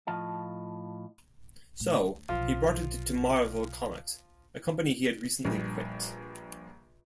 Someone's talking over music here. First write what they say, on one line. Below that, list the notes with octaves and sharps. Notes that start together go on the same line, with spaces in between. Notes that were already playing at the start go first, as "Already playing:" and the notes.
So, he brought it to Marvel Comics, a company he had recently quit.
A2 F3 F4 D#5 A5
A2
D2
B1 C3 F3 F4
A#1 G2